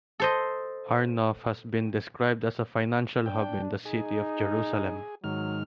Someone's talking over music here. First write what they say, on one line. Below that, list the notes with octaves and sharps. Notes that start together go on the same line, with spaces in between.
Har Nof has been described as a "financial hub" in the city of Jerusalem.
A4 C5 D#5
D4 G5
D#4 G#4
G#2 D#3 F#3 F6